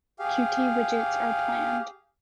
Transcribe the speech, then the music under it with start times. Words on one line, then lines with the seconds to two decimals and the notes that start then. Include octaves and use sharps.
Qt widgets are planned.
0.19 G4 G#4 F5